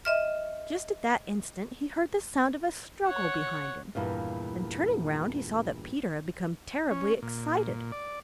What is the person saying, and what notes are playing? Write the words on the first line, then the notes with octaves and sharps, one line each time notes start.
Just at that instant he heard the sound of a struggle behind him, and turning round he saw that Peter had become terribly excited.
D#5 E5 F6
C#5 F#5
E2 G2 A#2 F5
C#4
A#2
D5